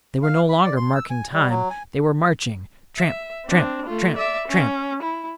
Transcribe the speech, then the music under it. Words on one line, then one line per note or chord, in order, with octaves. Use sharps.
They were no longer marking time, they were marching; tramp, tramp, tramp, tramp.
F5
B5
D5
C6
E6
G#5
G3
F#3
G#5
E5
C4 D4
A3 F4
D5 E5
C#4
E4